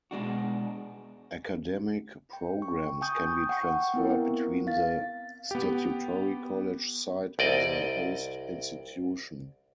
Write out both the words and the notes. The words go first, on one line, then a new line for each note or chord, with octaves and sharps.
Academic programs can be transferred between the statutory college side and the host institution.
B2 G#3 D4 F#4
G5
C#6
G5 G#5 C#6 D#6 G6
F#5 G5 C#6
B3 C4 E4 A#4
F5 A6
B3 G4
C2 D5 D#5